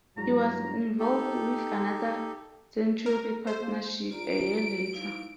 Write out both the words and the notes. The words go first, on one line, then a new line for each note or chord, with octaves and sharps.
He was involved with another century partnership a year later.
G2 B2 F#3 G#3 E4 G#4 A#5
D#4 G4 A4
A#4
A4 C5
A#3
F4 D5 A#5 D7
D#4 E4 F5